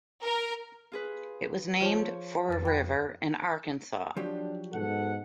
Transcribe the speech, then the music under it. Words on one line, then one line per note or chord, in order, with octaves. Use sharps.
It was named for a river in Arkansas.
A#4
F4 G#4 B4
F3 F4 G#4 C#5 A5
F2 B4 A6
G5 B5 F#6
F3 F#3 D4 G4
G#2 B2 A4 F#5